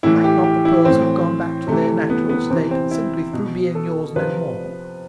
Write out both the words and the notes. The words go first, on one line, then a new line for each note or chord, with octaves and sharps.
Might not the pearls have gone back to their natural state simply through being yours no more?
A2 E3 E4
G4
G4
E4
A2 E3 C4
C3 E3 A3
B3
B3
C3 E3 C4
C4
E4
B2
A4
C3 F3 B4